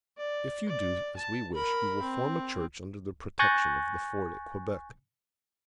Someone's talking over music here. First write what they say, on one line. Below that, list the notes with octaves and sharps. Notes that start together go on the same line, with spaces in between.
If you do as we wish, we will form a church under the protection of the fort at Quebec.
D5
D5
A5
A#4 B5
C4
G#5 C#6 F#6 G6 A6 A#6